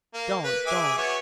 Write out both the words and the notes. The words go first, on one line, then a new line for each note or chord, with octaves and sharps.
'Don't, don't!
A#3
B4
G#4 E5 D6
B3 F#4 C#5